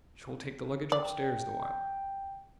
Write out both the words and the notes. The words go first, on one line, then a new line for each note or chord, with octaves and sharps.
'She'll take the luggage upstairs the while.
D5 G5